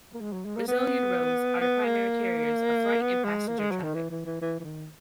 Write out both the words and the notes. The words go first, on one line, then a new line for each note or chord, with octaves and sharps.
Brazilian roads are the primary carriers of freight and passenger traffic.
A#3
G#3
F#3
G#3
A#3
B3
B3
A#3
B3
G#3
A#3
G#3
F#3
D#3
E3
E3
E3
E3
E3
D#3